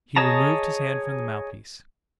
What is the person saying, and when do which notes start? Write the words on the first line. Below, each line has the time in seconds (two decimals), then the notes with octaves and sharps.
He removed his hand from the mouthpiece.
0.16 G#4 C#5 D#5 A5 A#5